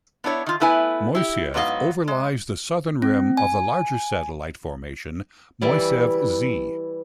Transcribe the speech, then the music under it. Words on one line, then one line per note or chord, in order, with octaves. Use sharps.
Moiseev overlies the southern rim of the larger satellite formation Moiseev Z.
B3 D4 E4 C#5
D#3 F4
A3 B3 E4 B4 G#5
E4 G4
G#2 F#3 B3 D#4 D#5 F5
G#3
C4
G#5
E3 G3 E4 D5